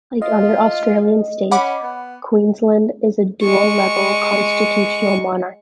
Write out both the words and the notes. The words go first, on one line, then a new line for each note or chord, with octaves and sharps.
Like the other Australian states, Queensland is a dual-level constitutional monarchy.
F4 D#5
C#4 F#5 B5 D6
B3
G#3 C#6